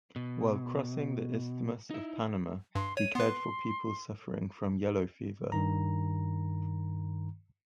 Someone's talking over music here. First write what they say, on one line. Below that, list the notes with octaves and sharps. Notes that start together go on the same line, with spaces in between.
While crossing the Isthmus of Panama, he cared for people suffering from yellow fever.
B2
D#4 E4
G2 C6
C#5 D#7
B3 B4 C6
G2 D#3 A#5